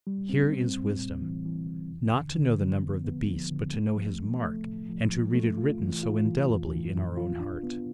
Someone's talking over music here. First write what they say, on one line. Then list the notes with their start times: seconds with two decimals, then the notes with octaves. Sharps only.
'Here is wisdom': not to know the number of the beast, but to know his mark, and to read it written so indelibly in our own heart.
0.07 G3
0.29 C4
0.52 C4
0.76 A2
0.98 A2
1.22 E3
1.45 E3
1.67 E3
1.91 E2
2.14 D3
2.36 D3
2.59 F3
2.82 B3
3.04 B3
3.28 F3
3.51 D3
3.74 A3
3.97 F3
4.19 A3
4.43 A3
4.65 A2
4.89 F3
5.11 F3
5.35 A3
5.57 F4
5.79 E3
6.03 F4
6.26 E3
6.48 F2
6.71 E3
6.95 F2
7.17 F4
7.40 D4
7.63 B3